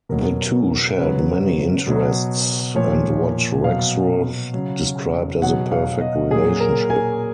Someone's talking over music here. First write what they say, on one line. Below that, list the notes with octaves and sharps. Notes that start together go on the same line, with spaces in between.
The two shared many interests and what Rexroth described as a perfect relationship.
B2 F#3 A#4
C#3 F#3 B4
B2 F#3
A#2 F3 C#5
B2 F#3 F5
C#3 F#3
B2 F#3 F#5
F5
D#5
A#2 F#3 G#4
A#4
G#5